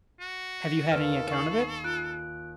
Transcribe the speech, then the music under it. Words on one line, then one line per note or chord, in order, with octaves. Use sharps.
"Have you had any account of it?"
F#4
D#2 A4 B4 F6 D7
C#6 C7 F#7
F4 F#6 D7